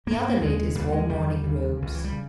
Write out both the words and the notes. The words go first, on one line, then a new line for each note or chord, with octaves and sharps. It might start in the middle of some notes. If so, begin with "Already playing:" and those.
The other ladies wore morning robes.
G2 A#3
A#3
D#2 C#3 G#3
D#2 C#3 G3
G#3
E2 C#3 G3
D#2 C#3
C#2 C#3
E3
G3
C#3